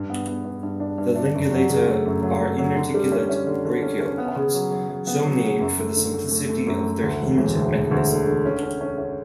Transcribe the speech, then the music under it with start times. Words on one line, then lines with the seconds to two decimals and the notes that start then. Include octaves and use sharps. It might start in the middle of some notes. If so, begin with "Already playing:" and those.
The Lingulata are inarticulate brachiopods, so named for the simplicity of their hinge mechanism.
Already playing: G2
0.10 B3
0.28 B3
0.45 G2
0.63 G2
0.80 D4
0.98 G2
1.15 D4
1.34 F#2
1.51 F#3
1.69 C#3
1.87 A3
2.06 F#2
2.22 F#3
2.40 A3
2.58 F#3
2.75 D3
2.94 G3
3.12 C#4
3.29 C#4
3.47 D3
3.65 D3
3.83 C#4
4.00 C#4
4.18 B3
4.36 C#3
4.54 F#3
4.71 F#3
4.89 F#3
5.07 B3
5.25 F#3
5.43 C#3
5.60 F#2
5.79 A3
5.96 D3
6.14 A3
6.31 A3
6.49 A3
6.67 F#2
6.85 A3
7.03 D2
7.21 E1
7.38 E1
7.57 D2
7.74 E1
7.91 D2
8.10 D3
8.27 D3
8.45 C#4
8.63 C#4
8.81 C#4
8.98 C#4